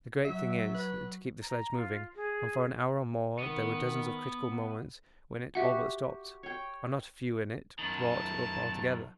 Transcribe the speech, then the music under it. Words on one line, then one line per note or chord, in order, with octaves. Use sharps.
The great thing is to keep the sledge moving, and for an hour or more there were dozens of critical moments when it all but stopped, and not a few in it brought up altogether.
F#3 E5
B4
A#5
F4
G#4
D#3 B3
F#4 G4 E5 F#5
C#5 G5
F#2 D#3 A5